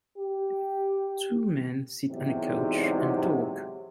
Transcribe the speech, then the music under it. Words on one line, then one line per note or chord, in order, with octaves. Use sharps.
Two men sit on a couch and talk.
G4
E2 G#2 C3 F#3